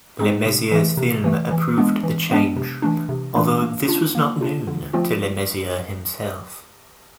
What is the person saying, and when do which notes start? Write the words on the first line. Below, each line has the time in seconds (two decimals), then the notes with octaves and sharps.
LeMessurier's firm approved the change, although this was not known to LeMessurier himself.
0.19 G#3 C4 D#4 G#4
0.46 C3
0.72 E3 A3
0.97 C3
1.24 E3 A3
1.51 E3
1.77 G#3 B3 D4
2.03 E3
2.30 G#3 B3 D4
2.56 C3
2.82 E3 A3 D4
3.09 C3
3.35 E3 A3 D4
3.62 A#3
3.88 D4 F4
4.15 A#3
4.41 D4 F4
4.67 D3
4.93 F3 A3 C4 F4